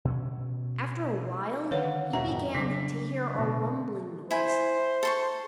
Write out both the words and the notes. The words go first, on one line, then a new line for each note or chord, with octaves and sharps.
After a while he began to hear a rumbling noise.
B2 C#4
D3 D#3 B4 C#5 F5 F#5
E1 B2 F#4 E5 A#5
F2 A2
C#3 F#3 G3 D4 B6
B2 D3
E4 C5 G#5
A4 C6 C#6